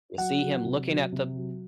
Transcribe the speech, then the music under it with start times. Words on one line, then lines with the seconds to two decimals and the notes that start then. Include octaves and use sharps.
you see him looking at the
0.17 F#3 F#5
0.41 F#3
0.65 C3
0.88 F#3
1.12 C3
1.36 F#3